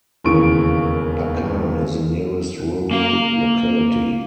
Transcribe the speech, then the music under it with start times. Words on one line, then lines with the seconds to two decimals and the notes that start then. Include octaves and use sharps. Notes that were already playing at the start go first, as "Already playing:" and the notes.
Pakhar is the nearest rural locality.
0.24 E1 D#2 C#3 E3 C#6 D7
2.91 A#3 F5